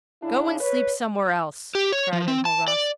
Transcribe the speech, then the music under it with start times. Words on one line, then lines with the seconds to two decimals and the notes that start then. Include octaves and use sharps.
"Go and sleep somewhere else," cried Enjolras.
0.21 C#3 D4 E4
0.60 B4 C#5
1.75 G4
1.92 C#5
2.13 F3
2.28 C4
2.45 A5
2.68 D5